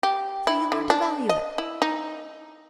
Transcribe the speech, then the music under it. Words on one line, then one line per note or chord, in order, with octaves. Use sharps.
So you learn to value it.
G4
E4
D3
D4
D#5
E4
D#4